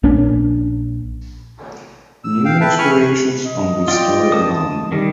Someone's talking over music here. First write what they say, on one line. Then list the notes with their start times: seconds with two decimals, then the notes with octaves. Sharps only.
Numerous variations on this story abound.
0.03 A#1 A#3 C#4 D4
2.24 E6
2.45 F5 G5
2.61 B4 E5 G5 A5
2.79 G#5 B5 C#6 F6
3.45 D#5
3.88 F4 D5 G5
4.32 A5 D#6
4.92 D#3 G3